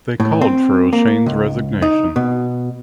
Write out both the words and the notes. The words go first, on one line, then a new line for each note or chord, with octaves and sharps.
They called for O'Shane's resignation.
A2
C4
A#3
C#2
D#4
B2